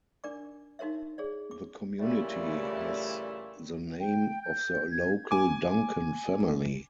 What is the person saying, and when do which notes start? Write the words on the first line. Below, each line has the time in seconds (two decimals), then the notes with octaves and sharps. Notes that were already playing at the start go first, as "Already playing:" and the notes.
The community has the name of the local Duncan family.
0.24 D4 A#4 D5 D6
0.79 D#4 F#4 A#4 C#5 E5
1.18 G#4 C#5 D5
1.51 D6
2.00 A#2 C#3 E3 G3 A3 E4
4.00 G5
4.43 G6
4.91 G#6
5.31 G#5 D6